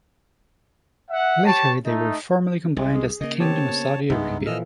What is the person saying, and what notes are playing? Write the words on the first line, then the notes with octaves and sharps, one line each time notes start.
Later they were formally combined as the Kingdom of Saudi Arabia.
E5 F#5
G4 C#5 A5
A3 D#4
C2 G#3
G#4
C#3 A#3 D#5
B3 C4 G4 C#5 A5
C#2 G2 G#3 B3 D#4 E5
A#2 E3 F3 A4 D#5 E6 F6